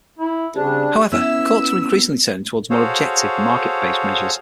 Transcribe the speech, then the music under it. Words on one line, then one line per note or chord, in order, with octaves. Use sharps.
However, courts are increasingly turning toward more objective, market-based measures.
E4
C#3 G3 C4 D4 G4 G#4
B3 C#4 E4 E6
F#4 G#4 A4 C5 C#5 F5